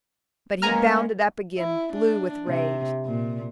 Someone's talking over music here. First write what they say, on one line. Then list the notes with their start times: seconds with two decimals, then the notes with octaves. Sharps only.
But he bounded up again, blue with rage.
0.62 G#3 A#3 B3 C#4 G#5 A#5 F6
1.58 E4
1.93 D4
2.48 C3
3.05 A#2